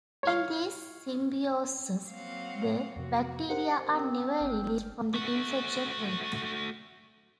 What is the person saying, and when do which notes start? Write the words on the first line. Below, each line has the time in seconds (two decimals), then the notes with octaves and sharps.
In these symbioses the bacteria are never released from the infection thread.
0.23 C#5 F5
2.10 F#3 A#3 C4 F5 F#5
2.96 F2 C3 F#4
3.49 G4 A#4 C5 F#5
3.94 C4
4.36 G1 F6 G6
5.14 A3 F#4